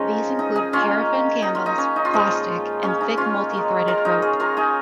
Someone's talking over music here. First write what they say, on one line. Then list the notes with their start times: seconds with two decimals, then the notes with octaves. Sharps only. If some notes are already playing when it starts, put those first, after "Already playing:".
These include paraffin candles, plastic, and thick multithreaded rope.
Already playing: C#3 F3 G#3 C#4 D#4 F4 A#4
0.39 D#4
0.55 D#4 G#4
0.73 D#3 A#3 C#4 F4
1.42 D#4
1.55 F4
1.66 D#4
1.78 C#4
1.96 D#4
2.05 F4
2.13 A#2 F3 G#3 D#4
2.83 C#4
3.01 D#4
3.17 C#4 F4
3.52 D#3 G#3
3.88 F4 A#4
4.05 D#4
4.22 G#4 C#5
4.40 F4 A#4
4.57 D#4 G#4